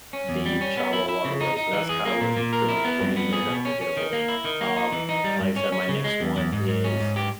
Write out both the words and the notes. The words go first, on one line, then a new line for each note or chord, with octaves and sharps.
the travel along the way. So that's kinda what pretty much for me made it unforgettable. Um, like I said, my next one is
C#4
E2
G3
C#4
B3
E4
E4
C#3
D#4
D#4
E3
G#4
A#3
A#2
A#2
A#4
E4
B3
G2
B3
G#4
B2
C#4
C#4
D#3
A#3
E4
D#3
A#3
D#4
E3
D#4
G3
G2
C#4
C#4
C#3
G#3
E2
E2
G#2
G#2
C#4
G#2
G4